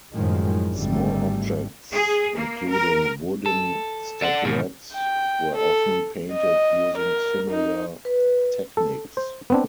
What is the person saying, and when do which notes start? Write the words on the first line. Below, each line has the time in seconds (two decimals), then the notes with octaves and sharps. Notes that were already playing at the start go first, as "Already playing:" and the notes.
Small objects including wooden statuettes were often painted using similar techniques.
0.12 F#2 A2 D#3 F3 G#3
0.71 G#1 G#2 D3 G3 A3
1.92 G#4
2.36 A#3
2.70 A#4
3.46 A4
4.21 A4 D5 E5 F#5
4.45 G#2 B2 D#3
4.93 G5
5.56 A4
6.33 D#5
6.98 A#4
7.51 D#4
8.05 B4
8.77 A4
9.17 C5
9.50 B3 C4 D4